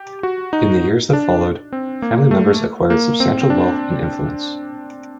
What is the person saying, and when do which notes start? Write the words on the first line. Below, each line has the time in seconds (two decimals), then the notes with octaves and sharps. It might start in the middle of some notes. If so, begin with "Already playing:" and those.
In the years that followed, family members acquired substantial wealth and influence.
Already playing: G4
0.23 F#4
0.53 D#4
1.13 D4
1.72 C4
2.02 A#3
2.31 A3
2.90 A#3
3.20 C4
3.42 C4
3.50 D4